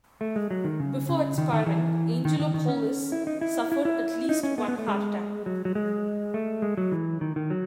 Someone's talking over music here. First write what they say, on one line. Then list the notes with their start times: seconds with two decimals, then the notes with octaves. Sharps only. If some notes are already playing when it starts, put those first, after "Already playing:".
Before expiring, Angelopoulos suffered at least one heart attack.
0.21 A3
0.36 G#3
0.51 F#3
0.64 D#3
0.80 C#3
1.09 C#3
1.38 D#3
1.53 D#3
1.66 E3
2.25 D#3
2.40 D#3
2.54 D#3
2.68 C#4
3.12 E4
3.27 D#4
3.41 E4
3.72 E4
3.85 E4
4.29 D#4
4.43 C#4
4.58 B3
4.68 B3
4.78 A3
4.88 G#3
5.46 F#3
5.65 F#3
5.75 G#3
6.34 A3
6.62 G#3
6.77 F#3
6.92 E3
7.21 D#3
7.36 D#3
7.50 F#3